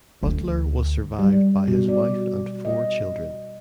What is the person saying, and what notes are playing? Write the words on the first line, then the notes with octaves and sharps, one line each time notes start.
Butler was survived by his wife and four children.
D2
G3
B2
D5
D#5